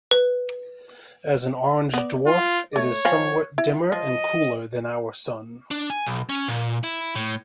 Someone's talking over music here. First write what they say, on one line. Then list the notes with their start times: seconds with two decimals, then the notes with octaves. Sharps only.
As an orange dwarf it is somewhat dimmer and cooler than our Sun.
0.11 B4
1.94 B3 D5
2.26 F4
2.76 A3 C#5
3.05 F3 F5 G#5
3.58 E4
3.92 F3 D#5
5.71 D4
5.90 G#5
6.06 B1
6.29 C#4
6.48 A#2
6.84 E4
7.15 A2